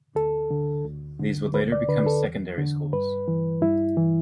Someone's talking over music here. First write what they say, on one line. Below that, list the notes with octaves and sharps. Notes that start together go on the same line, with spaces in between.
These would later become secondary schools.
D2 A4
D3
D2
D3
D2 B4
D5
D3 B4
A4
E2
D3
G2 B4
E3
G2 E4
E3